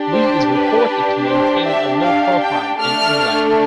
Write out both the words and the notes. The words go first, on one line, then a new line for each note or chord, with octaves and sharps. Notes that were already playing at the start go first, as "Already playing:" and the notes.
Lee is reported to maintain a low profile in England.
Already playing: D4 G4
C5
B4
C5
E5
F5
G5
A3 D4 A4 F6